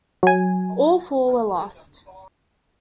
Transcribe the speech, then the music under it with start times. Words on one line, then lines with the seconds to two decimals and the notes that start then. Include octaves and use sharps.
All four were lost.
0.23 F#3 G#5